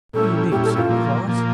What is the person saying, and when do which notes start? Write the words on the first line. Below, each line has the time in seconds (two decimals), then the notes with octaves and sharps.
"Who you mean--Santa Claus?"
0.13 A#2 G3 C#4 E4 A4
0.51 A#2 G3 C#4 E4 G4
0.64 A4
0.77 F4
0.89 A#2 F3 A#3
1.28 A#2 F3 A#3